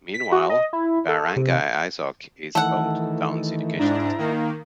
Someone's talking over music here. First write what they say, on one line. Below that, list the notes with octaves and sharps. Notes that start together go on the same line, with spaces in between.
Meanwhile, Barangay Isok is home to the town's education district.
B6
F#4
D#5
E4
A4
C3
D#3 E3 A3 A4 F#5
G#2 D4 E4 A#5
D#3 A#3